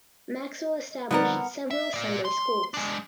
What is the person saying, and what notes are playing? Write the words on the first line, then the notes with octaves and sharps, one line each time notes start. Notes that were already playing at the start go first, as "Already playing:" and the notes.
Maxwell established several Sunday Schools.
D3 F3 G3 B3 C4 D#4 A#4 F#5
E5
F4 D5
C6
G#3 D4